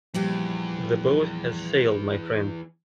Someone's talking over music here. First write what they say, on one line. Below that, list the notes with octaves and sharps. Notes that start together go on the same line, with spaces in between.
That boat has sailed, my friend.
E2 A#2 F3 G3 G4